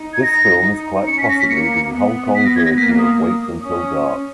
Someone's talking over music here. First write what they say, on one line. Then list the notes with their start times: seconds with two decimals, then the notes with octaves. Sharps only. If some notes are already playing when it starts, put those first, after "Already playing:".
This film is quite possibly the Hong Kong version of Wait Until Dark.
Already playing: D#4
0.13 G#6
0.23 A#6
0.64 D#4
1.07 C#4 C#7
1.18 B6
1.29 A#6
1.39 B6
1.49 A#3 C#7
1.92 B3
2.35 B6
2.45 A#6
2.56 G#6
2.66 A#6
2.77 A#3 B6
2.99 D#6
3.19 D#6
3.61 C#4 D#6